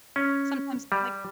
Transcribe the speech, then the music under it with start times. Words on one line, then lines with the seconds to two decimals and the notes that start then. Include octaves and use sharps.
sometimes, like
0.16 C#4
0.92 G3